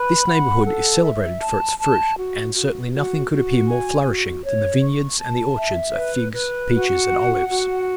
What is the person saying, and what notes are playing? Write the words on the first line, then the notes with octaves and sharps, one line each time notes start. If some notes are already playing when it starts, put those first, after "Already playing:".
This neighbourhood is celebrated for its fruit; and certainly nothing could appear more flourishing than the vineyards and the orchards of figs, peaches, and olives.
Already playing: B4 B5
F#5
A4
E5
A5
A5
F#4
F#4
F#4
F#4
G#5
F#4
C#5
C#6
A5
E5
B4
B4
F#4
F#5
F#4